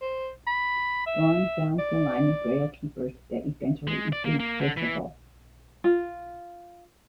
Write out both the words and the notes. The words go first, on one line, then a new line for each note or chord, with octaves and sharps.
Bron founds the line of Grail keepers that eventually includes Perceval.
C5
B5
E5
D5
G#3
D5
A#3
A#3
D3
E3
F4